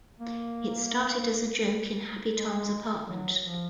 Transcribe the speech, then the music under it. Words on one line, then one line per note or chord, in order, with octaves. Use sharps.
It started as a joke in Happy-Tom's apartment.
A#3
G#3
F#3
F3